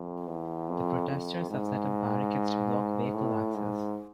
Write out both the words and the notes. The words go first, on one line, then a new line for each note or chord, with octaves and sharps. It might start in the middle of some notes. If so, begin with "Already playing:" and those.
The protesters have set up barricades to block vehicle access.
Already playing: F2
E2
F2
F2
G#2
A2
G#2